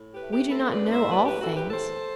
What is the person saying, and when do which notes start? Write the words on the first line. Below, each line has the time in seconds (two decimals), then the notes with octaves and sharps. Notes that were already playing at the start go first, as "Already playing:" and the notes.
We do not know all things.
Already playing: A2
0.13 G4 B4
0.22 A3
0.32 G4 B4
0.48 B4
0.52 A2 A4 C5
0.72 B4 D5
0.82 A2
0.91 C5 E5
1.11 A3 B4 D5
1.26 G4 B4
1.40 A2 F#4 A4
1.55 G4 B4
1.70 E2 A4 C5